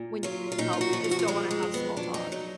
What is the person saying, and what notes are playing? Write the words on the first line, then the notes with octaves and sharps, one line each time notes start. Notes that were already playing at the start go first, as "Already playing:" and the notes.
when you need help, they just don't wanna have small talk.
Already playing: A#2
F#3 F4
F4
A#2 D#4
F4
F#4
F3
F4
F#4
F4
F2 G#3
G#3
F2
B3
F#3 D4
D#4
F#3 D#4